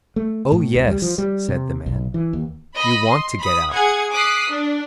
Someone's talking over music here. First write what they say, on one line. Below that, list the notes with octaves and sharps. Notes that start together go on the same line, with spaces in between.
"Oh yes," said the man, "you want to get out."
A3
A2
C#2
G3
F3
G3
C3
B1
E3
D#2
D#5 B5
C6
B5 D#6
G#4 F#5 G#6
D6 D#6 F#6 B6 C7
D4